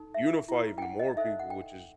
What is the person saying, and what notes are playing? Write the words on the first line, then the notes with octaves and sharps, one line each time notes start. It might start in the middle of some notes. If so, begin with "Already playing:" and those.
unify even more people, which is
Already playing: D#4 A4
E5
E4 B4
G5
F#5
D#5
D#4 A4 C5 E5
F#5
G5